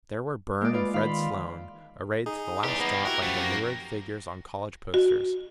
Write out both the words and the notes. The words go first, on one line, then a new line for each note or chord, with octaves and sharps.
There were Burne and Fred Sloane arrayed to the last dot like the lurid figures on college posters.
G#3 A#3 D5
F4 B4 D5
D#3 F5 B5 C6
D#4 G#4
E2 D4 G4
G3 A#3 B3
E4 F#4 G4 A#4 F#5
F#2 F3 A3 B3 F#4
A#3
F#4